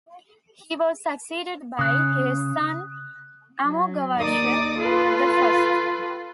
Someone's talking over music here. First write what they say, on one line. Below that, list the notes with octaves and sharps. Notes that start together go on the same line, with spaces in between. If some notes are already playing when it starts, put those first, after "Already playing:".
He was succeeded by his son Amoghavarsha the First.
C#3 D#6 F#6
F#3
D#2 D#4 D5 D6 D#6 A6
F4 A4 B4